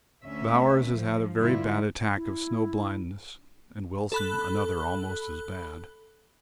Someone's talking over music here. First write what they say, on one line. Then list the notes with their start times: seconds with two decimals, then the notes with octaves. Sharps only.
Bowers has had a very bad attack of snow blindness, and Wilson another almost as bad.
0.24 D2 C#4 E5
0.90 F3
1.37 G2 D3 E4 F4
2.16 E4
4.12 A4 B5 F#6